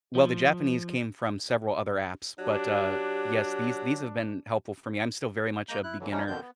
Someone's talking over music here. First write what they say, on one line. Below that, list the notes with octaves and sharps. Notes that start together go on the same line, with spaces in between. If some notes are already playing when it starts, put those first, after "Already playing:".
Well, the Japanese came from several other apps, but, uh, yes, these these have been helpful for me, I'm still very much a beginner
F3
F#3 D4 G4
G#3 A#3 A#5 G6
E4 F#6
D3 E3 F#3
E3 F3 G3 G#3 C#4 D#4
F2 B2 D3 D#3 G6
B3